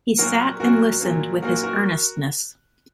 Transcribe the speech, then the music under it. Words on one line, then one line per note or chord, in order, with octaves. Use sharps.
He sat and listened with his earnestness.
A#2 F#3 A#3 F#4 A#4
A#2 F#3 A#3 F#4 A#4
A#2 F#3 A#3
A#2 F#3 A#3 F#4 A#4
F#4 A#4